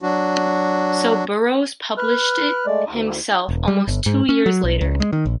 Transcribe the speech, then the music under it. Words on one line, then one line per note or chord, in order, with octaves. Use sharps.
So Burroughs published it himself almost two years later.
F#3 D4 F#4
B4 F6 F#6
G#3 A3 D5
D2
E1
G3
G1
G#2
C#4
F#3
B1
C#2
G#3
D#3
A#1